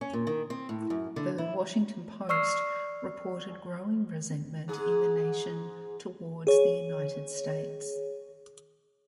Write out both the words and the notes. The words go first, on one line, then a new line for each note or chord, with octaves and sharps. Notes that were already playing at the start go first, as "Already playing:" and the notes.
"The Washington Post" reported growing resentment in the nation towards the United States.
C#4
A#2
D#3
C4
A2
F#2
D3
E4
D5 C#6 E6 F6 C7
G#2 G#4
G#4 C#5